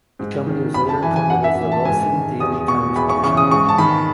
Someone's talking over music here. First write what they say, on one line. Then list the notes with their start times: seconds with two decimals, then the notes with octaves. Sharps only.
The company was later incorporated as The Wilson Daily Times Publishing Company.
0.19 G#2
0.47 D#3
0.74 F#2 B5
0.89 A5
1.02 E3 G#5
1.16 G#5
1.30 F#2 F#5
1.44 E5
1.58 E3
1.72 A5
1.85 G#2 G#5
2.13 D#3
2.40 E2 D#6
2.68 B2 C#6
2.96 E2 B5
3.09 C#6
3.23 C#3 E3 C#6
3.37 D#6
3.51 G#2 C#6
3.69 A5
3.78 D#3 B5